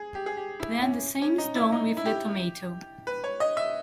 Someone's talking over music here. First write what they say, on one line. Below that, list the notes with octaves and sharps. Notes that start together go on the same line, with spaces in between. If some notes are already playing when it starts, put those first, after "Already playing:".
Then the same is done with the tomato.
Already playing: G#4
G4
G#4
G4
E4
C#4
C#4
D#4
E4
D#4
E4
G4
B4
C#5
D#5
E5